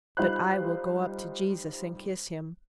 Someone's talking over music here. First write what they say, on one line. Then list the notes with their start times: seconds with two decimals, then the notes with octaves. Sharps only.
But I will go up to Jesus and kiss him.
0.17 G3 D#4 F4 C5 B5 F#6